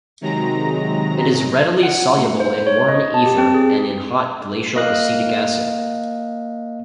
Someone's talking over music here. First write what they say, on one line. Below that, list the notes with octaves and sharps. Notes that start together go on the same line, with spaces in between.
It is readily soluble in warm ether and in hot glacial acetic acid.
C3 D#3 F#3 G#3 A#5 A#6
F#5
A3
C5
C#5
D#5
A5
G4
C4
G#4
A#3 D#5 F5 F#6